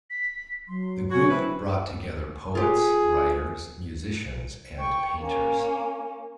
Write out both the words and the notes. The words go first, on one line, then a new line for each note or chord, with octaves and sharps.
The group brought together poets, writers, musicians and painters.
B6
F#3 C6
C#4 F#4 G#6
C4 E4 B4
F4 G4 G#4
G5 C#6
A#3 C#4